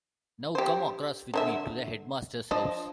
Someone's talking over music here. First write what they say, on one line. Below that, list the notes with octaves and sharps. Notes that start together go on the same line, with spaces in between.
Now come across with me to the headmaster's house.
G4 C5
D3 D#4 E5
F3 D4 D#5